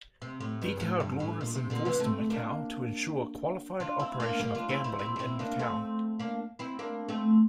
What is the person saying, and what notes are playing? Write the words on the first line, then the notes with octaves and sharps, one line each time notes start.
Detailed law is enforced in Macau to ensure "qualified operation of gambling" in Macau.
C3
A2
G2
A2
G2
A2
A#2
C3
A#2 D3
C3 E3
A3 C4
A#3 D4
D4 F4
C4 E4
A#3 D4
G3 A#3
D4 F4
C4 E4
C4 E4
C4 E4
D4
C4 E4
A#3 D4
A3 C4
A#3 D4
C4 E4
A#3 D4
A3 C4